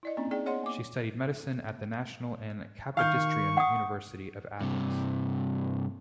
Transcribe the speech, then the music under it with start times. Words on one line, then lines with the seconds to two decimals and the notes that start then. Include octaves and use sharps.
She studied medicine at the National and Kapodistrian University of Athens.
0.03 E4 D5 D#5
0.17 A#3 C4 C#4 D#4
0.31 D#4 G#4 D5 G5
0.46 B3 G#4 C#5 D#5 F#5 C6
0.63 A#3 D6
2.97 D#3 F5 C#6 F6 G6
3.57 F#5 D#6
4.61 G2 C3